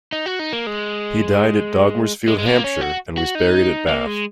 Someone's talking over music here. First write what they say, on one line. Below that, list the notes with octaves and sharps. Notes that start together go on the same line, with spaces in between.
He died at Dogmersfield, Hampshire, and was buried at Bath.
D#4
F#4
D#4
A#3
G#3
G#3
G#3
A#3
C#4
F#4
F#4
D#4
A#3
G#3